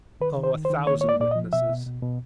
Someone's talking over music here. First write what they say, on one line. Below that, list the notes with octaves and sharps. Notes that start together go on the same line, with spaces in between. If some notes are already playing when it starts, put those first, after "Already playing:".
Oh, a thousand witnesses!
D#3 B4
D#3
C5
D#3
C5
D#3
A#3 C#5
C#5
A#3 D5
A#2 D5
D#5
F3
B2 E5
B2
B2
B2